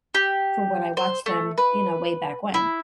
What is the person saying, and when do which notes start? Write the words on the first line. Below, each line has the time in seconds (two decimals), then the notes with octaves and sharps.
from when I watched them, you know, way back when.
0.15 G4
0.97 C5
1.26 A3
1.58 B4
2.54 E4